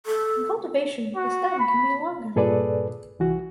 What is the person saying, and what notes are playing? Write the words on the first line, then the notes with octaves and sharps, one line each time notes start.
In cultivation the stem can be longer.
A4
F#4
B5
G2 A#2 G#4 A4 B4 D5
C2 E3 F#4